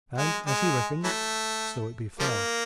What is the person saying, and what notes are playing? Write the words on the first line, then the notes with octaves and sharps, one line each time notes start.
And as he reckoned so it befell.
G#3
G#3
E3 F#3 A3
F3 G3 A#3